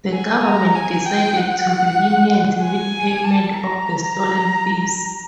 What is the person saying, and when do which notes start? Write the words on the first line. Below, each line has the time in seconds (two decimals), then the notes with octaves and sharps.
The government decided to be lenient with payment of the stolen fees.
0.12 G#5
0.43 A#5
0.75 G#5
1.06 G5
1.37 F#5
2.62 G#5
3.24 A5
3.57 A#5